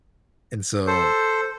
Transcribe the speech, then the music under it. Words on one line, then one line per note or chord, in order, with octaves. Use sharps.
And so
A4 C5